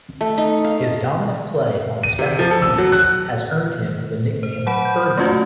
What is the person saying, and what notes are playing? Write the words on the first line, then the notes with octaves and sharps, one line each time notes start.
His dominant play on special teams has earned him the nickname "Burdman".
A3
D#4
F5
D#7
C3
F3
A4
E6
F#3
F#6
C5
F#3 F#5 B5 D7
G6
A3 A#3 C#4 F4 F#4